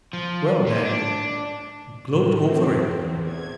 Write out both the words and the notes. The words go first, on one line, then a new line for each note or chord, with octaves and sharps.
Well then, gloat over it!
F3
A#2
D4
A2
C4
E2
G#6